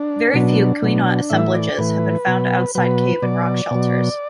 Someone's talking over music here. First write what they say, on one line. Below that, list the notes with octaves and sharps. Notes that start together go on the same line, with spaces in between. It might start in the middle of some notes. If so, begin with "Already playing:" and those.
Very few Quina assemblages have been found outside cave and rock shelters.
Already playing: D4
B2 F#3
B2 F#3
A2 E3 E5
D5
A2 E3 B4
B2 F#3
B2 F#3 B4
B2 F#3 D5
B2 F#3